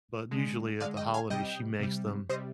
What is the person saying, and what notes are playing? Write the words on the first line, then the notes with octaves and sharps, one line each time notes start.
but usually at the holidays she makes them,
D3 G#3
D3 G#3 D5 F5
D#5 G5
F5 G#5
C3 G3 D#5 G5
C3 G3
C3 G3 C5 D#5